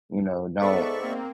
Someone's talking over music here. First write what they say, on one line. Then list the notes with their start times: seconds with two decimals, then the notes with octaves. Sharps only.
you know, don't,
0.61 G#2 B3 A4 D5 E5 C#6
1.00 A#3 C4